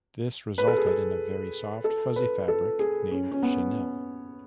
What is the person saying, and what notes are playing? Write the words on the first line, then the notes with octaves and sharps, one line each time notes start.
This resulted in a very soft, fuzzy fabric named chenille.
B4
A4
G#4
A4
A4
B4
A4
G#4
C#4
C#4
B3